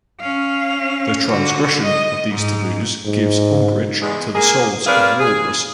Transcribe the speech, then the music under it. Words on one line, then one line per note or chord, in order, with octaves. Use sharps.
The transgression of these taboos gives umbrage to the souls of walrus.
C#4 F5
D3 F#4
D#5
G#2
G#2
E2 G#3
A#3 G#4
C4 G#4 A#4 B4 D5 F5
G#4